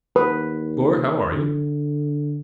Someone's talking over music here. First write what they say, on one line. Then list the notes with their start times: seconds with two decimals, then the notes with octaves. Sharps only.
Gore, how are you?
0.16 D#2 B4
1.32 D3